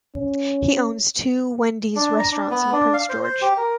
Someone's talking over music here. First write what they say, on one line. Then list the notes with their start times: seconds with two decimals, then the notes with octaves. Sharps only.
He owns two Wendy's Restaurants in Prince George.
0.15 C#4
1.96 D4
2.19 A#5
2.31 D4
2.51 B3
2.73 D4
2.94 F5
3.09 C5
3.24 C5
3.42 G4
3.57 A#4